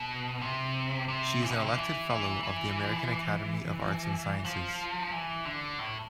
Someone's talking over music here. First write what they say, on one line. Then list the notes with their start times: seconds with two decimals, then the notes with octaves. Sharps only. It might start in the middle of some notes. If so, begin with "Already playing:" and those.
She is an elected fellow of the American Academy of Arts and Sciences.
Already playing: B2
0.42 C3
1.08 C3
1.43 E3
1.51 D3
1.58 C3
1.66 D3
1.76 E3
2.10 E3
2.43 E3
4.44 F3
5.11 E3
5.45 D3
5.79 A2